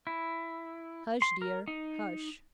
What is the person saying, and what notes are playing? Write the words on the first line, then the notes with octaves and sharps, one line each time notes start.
'Hush, dear, hush!
E4
C6
A#4
D#4